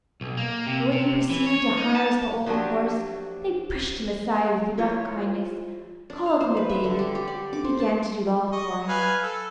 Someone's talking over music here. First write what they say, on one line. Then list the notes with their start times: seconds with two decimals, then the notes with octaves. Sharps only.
But when he proceeded to harness the old horse, they pushed him aside with rough kindness, called him a baby, and began to do it all for him.
0.21 B1
0.37 A#3
0.66 C3
0.92 C3
1.29 E3
1.46 C#5
1.77 D#4
1.95 A5
2.46 F3 F#3 D4 F#4 G4
4.77 F3 E4 F4 C#5
6.10 D4
6.26 F5
6.41 C5
6.57 B4
6.69 E5
6.84 D3
6.99 G4
7.15 G4
7.28 D5
7.53 D6
7.65 C5
7.80 A5
8.52 D#5 C#6
8.89 B4 F5 G#5
9.23 A4